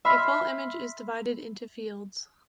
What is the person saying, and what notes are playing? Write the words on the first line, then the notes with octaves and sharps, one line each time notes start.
A full image is divided into fields.
E5 B5 C6 F6 B6